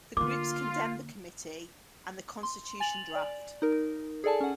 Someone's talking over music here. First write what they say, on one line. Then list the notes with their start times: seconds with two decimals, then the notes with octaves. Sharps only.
The groups condemned the Committee and the constitution draft.
0.17 D3 A#3 F4 D6
2.43 C6
2.80 G#5 A6 F7 F#7
3.16 D5
3.62 D#4 A#4
4.24 G#4 A4 D5 G#5 A5
4.40 C#4 F#5